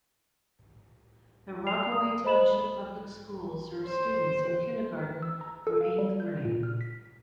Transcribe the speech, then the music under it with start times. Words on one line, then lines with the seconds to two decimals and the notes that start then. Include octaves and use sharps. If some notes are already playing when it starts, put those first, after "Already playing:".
The Rockaway Township Public Schools serves students in kindergarten through eighth grade.
1.67 D5 C7 F7
1.92 D#6
2.24 C5 D#5 B5 E7 F#7
3.86 C5
5.22 E6
5.41 A#5
5.67 A4
5.81 F5
5.98 G3
6.20 G6
6.45 A#2
6.63 F6
6.81 B6